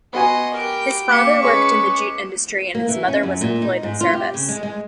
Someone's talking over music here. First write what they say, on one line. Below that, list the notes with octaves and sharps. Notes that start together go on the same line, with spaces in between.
His father worked in the jute industry and his mother was employed in service.
B3 F#4 D#5 G#5 C6
G4 A#4 G5
A#3 D6 B6 C#7
G#3 C#4 B4 C#6
A#3
E3
C#4
F#2
A#2
D#4
G#2
F4
G4
C#3
G#3
G#3